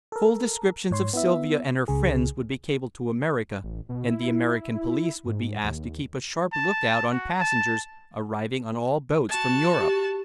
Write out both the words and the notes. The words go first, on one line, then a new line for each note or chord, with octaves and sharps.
Full descriptions of Sylvia and her friends would be cabled to America, and the American police would be asked to keep a sharp look-out on passengers arriving on all boats from Europe.
A4 A#4
G#2 C#5 C6
B3 E4 E5
C#2 C#3 G#4
A1
B2
E4
G#2
D#2
A5
F#4
A5
F#4 A5
G4